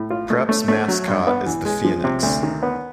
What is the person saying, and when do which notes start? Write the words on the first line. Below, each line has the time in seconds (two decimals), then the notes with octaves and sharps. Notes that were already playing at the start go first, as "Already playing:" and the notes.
Prep's mascot is the Phoenix.
Already playing: A2
0.10 F4
0.30 A3
0.49 A3
0.68 A3
0.88 F#3
1.08 G2
1.27 B3
1.46 E3
1.65 G#3
1.85 F3
2.04 C3
2.23 D2
2.43 D#3
2.63 B3